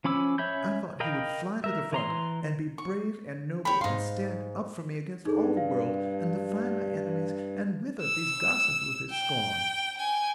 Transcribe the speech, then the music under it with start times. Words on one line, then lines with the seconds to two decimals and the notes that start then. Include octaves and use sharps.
I thought he would fly to the front, and be brave and noble, and stand up for me against all the world, and defy my enemies, and wither these gossips with his scorn!
0.04 F3 C#4 B5 D6 E6
0.38 C#4 C#5 E5 B5 G6
1.00 A#4 D#5 F5 G5 B5
1.64 A#4 E5
1.93 E3 A#5 C6
2.78 C#6
3.65 C#5 G5 B5
3.81 G#2 D#4 F5 C6
5.25 G2 D#4 G#4 A4
5.57 F5
8.02 E6
9.11 G5
9.98 G5 G#5